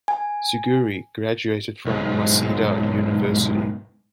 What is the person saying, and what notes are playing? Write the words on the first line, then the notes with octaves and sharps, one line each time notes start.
Suguri graduated from Waseda University.
G#5
B1 G#2